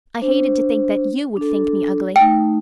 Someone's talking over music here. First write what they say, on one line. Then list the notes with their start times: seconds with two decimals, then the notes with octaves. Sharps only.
I hated to think that YOU would think me ugly.
0.22 D4 C5
1.37 D4 A4
2.16 A3 D#4 G5